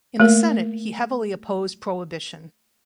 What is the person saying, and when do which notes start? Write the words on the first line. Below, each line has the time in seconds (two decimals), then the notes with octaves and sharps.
In the Senate he heavily opposed Prohibition.
0.20 A3 A#3 A#4